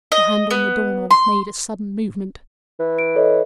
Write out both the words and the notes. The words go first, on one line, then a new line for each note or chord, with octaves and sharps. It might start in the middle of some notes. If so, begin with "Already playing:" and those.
The hand on the door-knob made a sudden movement.
D#5
B3
C6
E3
D7
A4 C#5 D#5